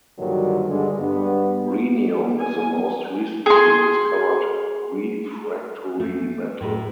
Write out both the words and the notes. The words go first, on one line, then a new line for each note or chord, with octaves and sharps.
Rhenium is the most recently discovered refractory metal.
G2 A#2 D3 D#3 F#3
G2 D3 G#3
G2 B3
G#5
G#4 C6
A3
A2